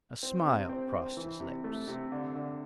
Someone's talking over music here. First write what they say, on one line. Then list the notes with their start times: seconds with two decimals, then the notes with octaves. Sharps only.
A smile crossed his lips.
0.23 C4
0.46 C3
0.69 C4
0.93 C4
1.17 E3
1.40 C3
1.64 A3
1.88 C3
2.12 D3
2.35 D3